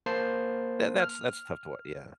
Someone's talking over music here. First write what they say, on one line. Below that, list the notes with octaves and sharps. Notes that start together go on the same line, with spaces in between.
That that's that's tough to wa yeah.
A#3 C5 A5 C7
F6